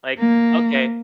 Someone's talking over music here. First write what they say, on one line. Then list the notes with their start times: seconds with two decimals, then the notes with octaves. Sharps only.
like, okay.
0.18 A#3